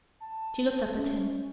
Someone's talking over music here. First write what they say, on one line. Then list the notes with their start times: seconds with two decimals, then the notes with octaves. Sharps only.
She looked up at him.
0.20 A5
0.96 C#4